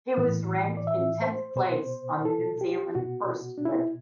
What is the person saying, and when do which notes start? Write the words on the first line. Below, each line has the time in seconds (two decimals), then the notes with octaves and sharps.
He was ranked in tenth place on the New Zealand First list.
0.17 A2 E3
0.77 D5
0.87 E5
1.22 C5
1.56 B2 C5
2.25 A4
2.61 G4
2.95 B2 F#4
3.58 D4
3.65 E4